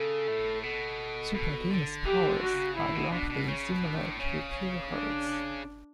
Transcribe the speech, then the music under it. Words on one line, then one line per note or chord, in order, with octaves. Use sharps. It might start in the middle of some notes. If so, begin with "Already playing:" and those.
Superteen's powers are roughly similar to Pureheart's.
Already playing: C#3 A4
A2
B2 A4
B2
D3
E3 G4
D3
F#4
C#3
A2 E4
B2
B2 D4
B2
C#3 C#4
B2
D4
A2
C#3 C#4
D4